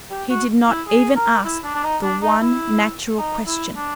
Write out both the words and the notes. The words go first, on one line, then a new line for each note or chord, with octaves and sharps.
He did not even ask the one natural question.
G4
F#4
E4
G#4
A#4
E4
D4
D4
D#4
D4
D#4
E4
D#4
E4
D4